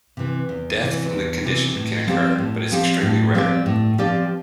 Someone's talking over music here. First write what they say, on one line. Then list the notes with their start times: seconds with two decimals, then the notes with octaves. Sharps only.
Death from the condition can occur, but is extremely rare.
0.17 C3 E3
0.49 E2
0.81 C3 E3
1.12 E2
1.44 C3 E3
1.75 A2
2.07 F3 C4 G4 D5
2.38 A2
2.71 F3 C4 G4 D5
3.02 A2
3.34 F3 C4 G4 D5
3.66 A2
3.98 F3 C4 G4 D5